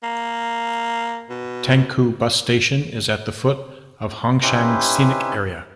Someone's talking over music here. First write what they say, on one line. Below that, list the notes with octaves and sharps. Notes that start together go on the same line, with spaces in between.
Tangkou Bus Station is at the foot of Huangshan Scenic Area.
A#3
B2
C#4 D#4 E4 G4 B4 C5